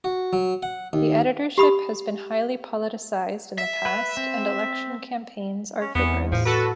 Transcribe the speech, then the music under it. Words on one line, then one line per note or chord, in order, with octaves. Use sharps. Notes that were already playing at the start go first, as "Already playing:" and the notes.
The editorship has been highly politicised in the past, and election campaigns are vigorous.
F#4
F#3
F#5
D#2
G4 B5 D#6
E5
B4
C4
C#4
E2 B3 C4
A2 F3
F#4 A4 B4